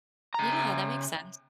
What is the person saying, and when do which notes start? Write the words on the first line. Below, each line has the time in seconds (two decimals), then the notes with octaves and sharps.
Yeah, that makes sense.
0.34 C#3 A#5